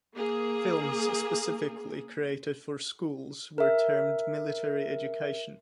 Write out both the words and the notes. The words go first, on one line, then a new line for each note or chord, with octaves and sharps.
Films specifically created for schools were termed military education.
A#3 G#4
A#4 E5